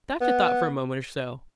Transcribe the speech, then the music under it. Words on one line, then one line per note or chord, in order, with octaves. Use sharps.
The doctor thought for a moment or so.
B3